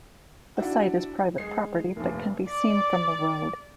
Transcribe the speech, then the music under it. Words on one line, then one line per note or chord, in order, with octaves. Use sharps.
The site is private property but can be seen from the road.
D4 E4 F#4
G#3 C7
F1 A#1
D5